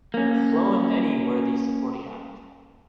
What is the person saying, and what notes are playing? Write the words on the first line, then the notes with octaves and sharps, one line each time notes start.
Flo and Eddie were the supporting act.
A#3 C#4